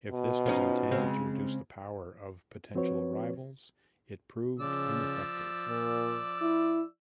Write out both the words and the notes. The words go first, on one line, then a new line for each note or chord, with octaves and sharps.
If this was intended to reduce the power of potential rivals, it proved ineffective.
B2
F3 C#4 D#4
C#3 G#3 C4
F3 C4 F#4 B4 C#5
C#3 F3 D5 E6
A#2
E4